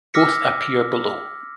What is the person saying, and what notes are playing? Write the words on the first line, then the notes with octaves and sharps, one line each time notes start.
Both appear below.
D6 E6 F6 A#6 B6 C#7